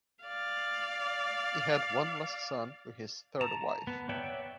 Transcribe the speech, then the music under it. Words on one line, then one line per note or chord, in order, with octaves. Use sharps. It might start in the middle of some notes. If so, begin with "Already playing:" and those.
He had one last son with his third wife.
D5 F5
A5 A#5
B3
C#5 D5 E5 F#5 G5